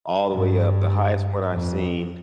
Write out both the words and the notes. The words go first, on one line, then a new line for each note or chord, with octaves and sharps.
all the way up the highest one I've seen
G2
F2